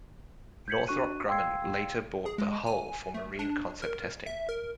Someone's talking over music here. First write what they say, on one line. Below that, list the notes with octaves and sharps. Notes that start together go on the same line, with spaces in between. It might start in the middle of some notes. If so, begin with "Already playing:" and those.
Northrop Grumman later bought the hull for marine-concept testing.
G6 G#6 B6 C#7 F#7
D4 F#4 C#6 F#6 D#7
F5 G5 C6 E6 G#6 C7
G#4
G#3
G#5
A3
D4
A#4
E5
A#4